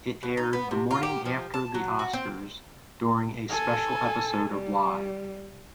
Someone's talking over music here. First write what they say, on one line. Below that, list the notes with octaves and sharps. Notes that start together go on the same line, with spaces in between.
It aired the morning after the Oscars, during a special episode of Live!
B2
D#4
B3
C3
F4
G4
F3
A5
F#3
F#4
C4
A4 G#5
G3